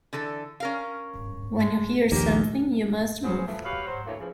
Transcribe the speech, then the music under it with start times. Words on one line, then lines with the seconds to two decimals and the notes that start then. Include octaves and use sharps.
When you hear something, you must move.
0.13 D3 E3 A4
0.60 C#4 A#4 F5
1.60 G#3
2.12 A#1 D#2 A#3 G4
3.23 F#3 B3 C#4 G#4 C5
3.46 A2 E3 F3
3.64 F#4 G4 B4 C#5 F5
3.86 F#3 C5
4.06 D2 A2 E3 A3 A#3 C#5
4.19 C#3 E3 F3